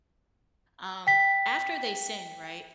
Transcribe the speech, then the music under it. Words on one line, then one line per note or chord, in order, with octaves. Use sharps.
um, after they sinned, right?
G5 B6